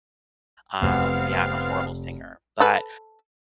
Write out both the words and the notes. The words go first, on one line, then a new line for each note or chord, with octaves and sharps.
um, yeah I'm a horrible singer. But
F1 B3 C4 F5
A4 B4